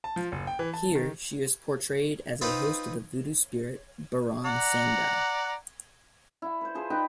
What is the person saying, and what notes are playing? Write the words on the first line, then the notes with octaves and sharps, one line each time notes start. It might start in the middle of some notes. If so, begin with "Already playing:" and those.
Here, she is portrayed as a host of the Voodoo spirit Baron Samedi.
A5
F3
F#1
G5
E3
A5
D#3
C4 D#4 F4 B4 D#5
D5 F#5 A#5
E4 F#5
B4 C5
F3 G#4 C5
D#4 B4 G5 B5